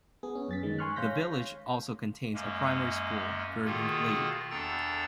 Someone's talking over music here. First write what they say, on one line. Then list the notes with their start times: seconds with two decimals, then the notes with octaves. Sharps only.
The village also contains a primary school, Girton Glebe.
0.23 B3 G#4
0.35 C#4
0.48 F#2 A6 B6
0.63 D#3 G#3
0.78 G#5 C6 C#6 F6 F#6
0.96 C#5 F5 C6 G6 A#6 B6
2.34 F#2 G#3 A#3 C#4
3.65 B2 D#3 A#3 F4 G#4 A4
4.51 E2 D4 A4 G5 A#5 A6